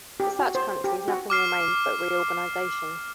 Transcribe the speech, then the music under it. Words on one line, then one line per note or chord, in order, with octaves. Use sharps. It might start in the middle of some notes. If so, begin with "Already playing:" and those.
For such countries nothing remained but reorganization.
G4
F#4
C5
G4
F#4
D6 F6 C7